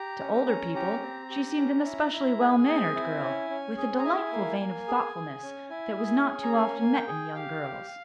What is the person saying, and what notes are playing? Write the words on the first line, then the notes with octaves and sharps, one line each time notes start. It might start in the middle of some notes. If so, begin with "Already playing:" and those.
To older people she seemed an especially well-mannered girl, with a delightful vein of thoughtfulness that was not too often met in young girls.
Already playing: G4 A#5
C#4
A#5
C#4
G4 A#5
C4
G4
C#4
E4
E4
G#4 G#5
C4
E4
C#4
C#4
G#4
A#5
E4 G#5
A#3
A#3
G#4
G#4
C#4
E4 G#5
G#4
C#4
A#5
A#3 G#5
A#3
G5
G#4
G4 F5
G4